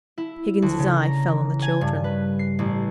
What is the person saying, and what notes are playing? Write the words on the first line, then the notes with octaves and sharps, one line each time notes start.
Higgins's eye fell on the children.
E4
D2
C#3
A#5
E3
G#5
G2
B4
C7
A1